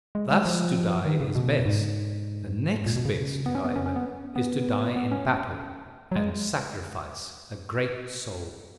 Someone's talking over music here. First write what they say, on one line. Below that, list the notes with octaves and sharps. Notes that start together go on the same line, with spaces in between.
Thus to die is best; the next best, however, is to die in battle, and sacrifice a great soul.
G#3
G#3
F3
D#3
C#3
B2
G#2
A#2
B2
C#3
B3
C#4
B3
C#4
C#4
B3
B3
B3
C#4
F#3
G#3